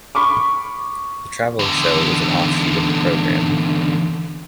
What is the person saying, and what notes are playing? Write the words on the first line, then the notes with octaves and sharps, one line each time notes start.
The travelling show was an offshoot of the program.
B5 C#6 D6
E2 D3